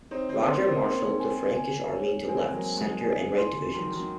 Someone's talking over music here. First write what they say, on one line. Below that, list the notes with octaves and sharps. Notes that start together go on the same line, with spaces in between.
Roger marshalled the Frankish army into left, center and right divisions.
C4 D#4 C#5
C4 D#4
A#3 C#4 C6
C4 D#4
A#3 C#4 C6
G#5
G#5
C#5
G#3 C4 G#5
C4
F#3 A#3
G#5
F3 G#3
G#5
C6
D#3 F#3 C6
D#3 F#3